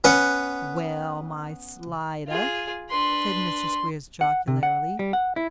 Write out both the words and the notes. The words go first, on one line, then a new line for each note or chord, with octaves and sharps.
'Well, my Slider,' said Mr Squeers, jocularly.
B3 C#4 F#5
F4 G#4
D4 B4 C6
F#5
C3
F#5
G3
F#5
E4